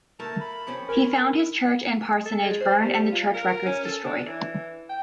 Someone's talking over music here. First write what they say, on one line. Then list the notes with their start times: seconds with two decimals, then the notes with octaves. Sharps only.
He found his church and parsonage burned and the church records destroyed.
0.20 A3 A#3 A#4 A5
0.41 B5
0.67 F3 C4 C#4
0.89 A#4 G#5 B5
2.26 A4
2.42 G#3
2.61 C5
2.83 G3
3.12 F4
3.34 A#4
3.66 C#4
3.85 A4
4.06 D4
4.26 E3
4.90 G5